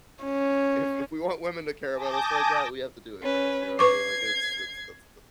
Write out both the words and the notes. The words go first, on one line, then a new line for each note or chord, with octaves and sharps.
If if we want women to care about us like that, we have to do it first," you know what I mean? Like, it's it's that's
C#4
G#5 A5 D6 D#6 G6 A#6
C#4 B4
B4 C#6 D6 G#6 C7